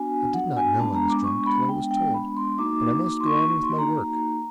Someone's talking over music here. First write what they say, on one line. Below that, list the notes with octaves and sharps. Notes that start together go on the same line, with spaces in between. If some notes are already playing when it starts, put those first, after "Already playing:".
I did not know I was drunk till I was told, but I must go on with my work.
Already playing: B3 D4 F#4 G#5
F#5
G#5
G#3 B3 D4 A5
A#5
D6
C#6
B5
G5
G5
B5
C6
A#3 D#4 F#4 D6
D6
C6
C#6
C#6
C6
A#5